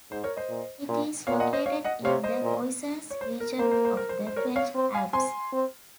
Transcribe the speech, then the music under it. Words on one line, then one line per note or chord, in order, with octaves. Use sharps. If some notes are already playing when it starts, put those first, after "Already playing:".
It is located in the Oisans region of the French Alps.
G#2 C5
A#4 C#5
C5 D#5
A#2
A#2
A#2 C#5 F5
D#5 F#5
C5 D#5
C#5 F5
D#5 F#5
C3 C#5 F5
C5 D#5
A#2
C#5
C5
A#4
A#3 C5
C5
C5
A#4
C5
C5
A#4 C#5
C#5 F5
C4
F5 G#5
C4 G#5 C6
C4